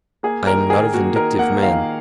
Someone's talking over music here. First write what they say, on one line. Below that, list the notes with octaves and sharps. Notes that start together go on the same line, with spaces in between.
I am not a vindictive man.
A#3 G#4
D#3 A#4
D#3 G#4
A#3 F#4
D#3 A#4
A#3 F#5
D#3 F5